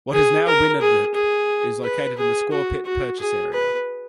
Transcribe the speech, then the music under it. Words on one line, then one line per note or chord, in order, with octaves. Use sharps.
What is now Wyandanch is located in the Squaw Pit Purchase area.
G#4
A#4
G#4
G#4
B4
G#4
F#4
F#4
G#4
B4